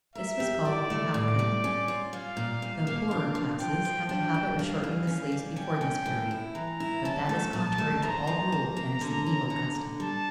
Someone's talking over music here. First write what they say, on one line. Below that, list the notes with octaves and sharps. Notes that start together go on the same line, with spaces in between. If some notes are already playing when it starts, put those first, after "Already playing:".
This was called the "half cutting." The poorer classes have a habit of shortening the sleeves before this period; but that is contrary to all rule, and is an evil custom.
A#4 E5
G4
E4 D5
A3
A2 D5
G3
C#4
F4
G3 F5
A#2
A#2
A#3
D4
F3
F3 G5
F3
D4 G5
D4
G3 F5
E3
C#4
G3
C#4 G5
C#4
A2
E4
E3 A#5
E4
C#4 A5
A3
A#2 A5
A3
F3 A#5
F3
A#3
A#3
D3
C#4
D3
D3
G3 A5